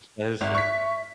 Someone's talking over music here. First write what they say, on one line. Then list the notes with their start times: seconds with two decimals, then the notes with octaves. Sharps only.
That is true.
0.41 G#1 E5
0.55 C#6 B6